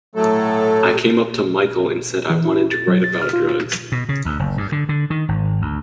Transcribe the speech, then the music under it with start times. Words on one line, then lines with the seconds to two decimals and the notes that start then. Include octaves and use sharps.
I came up to Michael and said I wanted to write about drugs.
0.15 A2 F#3 A3 A4
2.30 E3
2.45 E4
2.71 A6
2.88 F#3
3.04 A6
3.22 F6
3.33 F4
3.92 B2
4.09 C#3
4.25 D2
4.39 F#1
4.58 G2
4.72 D3
4.89 D3
5.10 D#3
5.29 G#1
5.62 D2